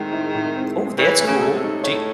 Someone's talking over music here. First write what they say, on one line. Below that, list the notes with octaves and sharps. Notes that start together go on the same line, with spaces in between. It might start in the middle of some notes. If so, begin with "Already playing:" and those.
Oh, that's cool. Do y
Already playing: A2 D#3 G#3 C4
E4
A2
C4
G#3
E3 C#5
A3
C#3
A4
C3
D#4
A2 C#5